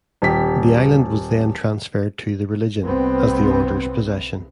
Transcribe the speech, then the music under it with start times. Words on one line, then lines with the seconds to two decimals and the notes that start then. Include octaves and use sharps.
The island was then transferred to the Religion, as the Order's possession.
0.22 D#1 G4 B6
2.85 C2 B3 C4